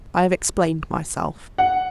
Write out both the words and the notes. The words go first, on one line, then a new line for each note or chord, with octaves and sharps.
I have explained myself.
F#5